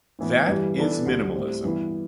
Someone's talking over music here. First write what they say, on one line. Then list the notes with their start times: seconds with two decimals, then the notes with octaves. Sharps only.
That is minimalism.
0.19 A2 E3 B3
0.47 G2 E3 G3
0.77 E3 B3 D4 A4
1.06 D2 D3 G3
1.35 A2 G3 C4
1.64 G2 E3 B3 E4